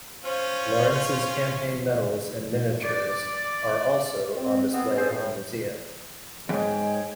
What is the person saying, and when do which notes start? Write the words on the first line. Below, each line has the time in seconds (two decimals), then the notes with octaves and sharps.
Lawrence's campaign medals and miniatures are also on display at the museum.
0.24 C#4 F4 C5
2.82 D5
4.37 C4
4.73 B3 C4
4.96 C4 C#4 G#4 A4 C5
5.11 A2
6.49 E2 G#2 G#3 C#5 G5 G#5